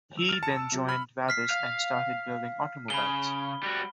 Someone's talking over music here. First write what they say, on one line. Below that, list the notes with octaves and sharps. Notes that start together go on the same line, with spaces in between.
He then joined Vabis and started building automobiles.
E6 D7
F6 A6
A5 C#7
E6
C3 F#3
B5 F6
F6 B6 C7
F5
C#3 B5 G7
G3 F#4